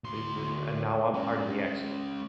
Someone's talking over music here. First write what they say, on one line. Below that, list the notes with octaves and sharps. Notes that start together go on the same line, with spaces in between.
Th th And now I'm part of the action.
D2 C6
G#3 C#4